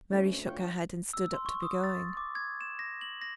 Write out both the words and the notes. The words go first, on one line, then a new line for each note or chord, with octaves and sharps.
Mary shook her head, and stood up to be going.
A2 C#4
D2
F4 C#5 G5
E6
C6
C#6
D#6
A6
D6
G#6
E7
A#6
F#7
A#6